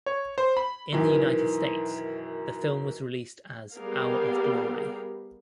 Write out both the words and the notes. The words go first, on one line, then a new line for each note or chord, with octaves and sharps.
In the United States, the film was released as Hour of Glory.
C#5
C5
B5
F#2 B2 D#3 E3
G3 B3 G4 G#4 A#4 F5